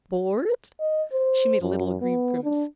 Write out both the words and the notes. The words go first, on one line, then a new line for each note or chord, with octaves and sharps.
"BORED?" She made a little aggrieved grimace.
D#5
C5
F#2
B3
D4